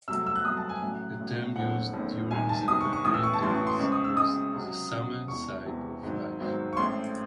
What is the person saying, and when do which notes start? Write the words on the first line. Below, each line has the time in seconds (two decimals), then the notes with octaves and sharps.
A term used during the pioneer days was the summer side of life.
0.08 C2 C3 F#3 A3 E6
0.26 E6
0.36 F#6
0.45 C2 C3 F#3 A3 D#6
0.57 A5
0.69 G#5
0.82 A1 A2 F#3
1.19 A1 A2 F#3
1.56 F#1 E2 D#3 A3 C4 F#5
1.93 F#1 E2 D#3 A3 C4
2.31 C2 C3 D#3 G#5
2.49 A5
2.68 C2 C3 D#3 D#6
2.81 C#6
2.93 C#6
3.05 A1 A2 E3 D#6
3.14 E6
3.23 C#6
3.34 A5
3.42 A1 A2 E3 C6
3.55 C#6
3.67 C6
3.79 C#2 C#3 G#3 C4 C#6
3.92 D#6
4.04 E6
4.16 C#2 C#3 G#3 C4 D#6
4.54 C#2 C3 F#3
4.91 C#2 C3 F#3
5.28 E1 E2 C3 E3 C#6
5.66 E1 E2 C3 E3
6.03 G#1 G#2 D#3 F#3 C4
6.40 G#1 G#2 D#3 F#3 C4
6.73 C#6
6.77 A1 A2 G#3 C4 C6